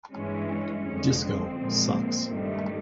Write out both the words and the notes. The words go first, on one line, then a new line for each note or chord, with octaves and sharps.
Disco sucks.
G2 E3 G#3 C#4
C#4
F2 D3 F3 G#3 C#4
C4
A#2 F3 G#3
G2 D#3 G3 A3